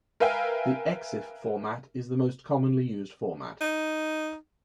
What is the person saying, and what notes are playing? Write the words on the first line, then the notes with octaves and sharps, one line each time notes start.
The Exif format is the most commonly used format.
A#4 B4 E5 F5 G5 G#5
D#4